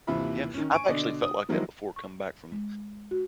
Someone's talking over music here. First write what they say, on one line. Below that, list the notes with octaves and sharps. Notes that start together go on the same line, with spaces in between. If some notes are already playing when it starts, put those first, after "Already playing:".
Yeah. I've actually felt like that before coming back from,
D#2 C3 E3 F4 E5 B5
D#3 C#4
G#5 C#6 D7
B2 D3 D5 D#5
D#6
D#3 F3 F#3 G#3 A#3 E4
C#6
G#3
F#4